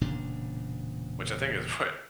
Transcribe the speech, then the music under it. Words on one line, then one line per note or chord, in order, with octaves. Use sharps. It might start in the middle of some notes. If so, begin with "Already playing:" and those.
Which I think is what
E1 A#2 C#3 D4